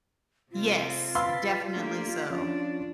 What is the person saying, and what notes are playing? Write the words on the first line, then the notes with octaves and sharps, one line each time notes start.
Yes. Definitely so.
C3 C4 F4
B4 F5 A5 B5 C6 E6
A3 A#3 D4 G4
F3 C#4 D4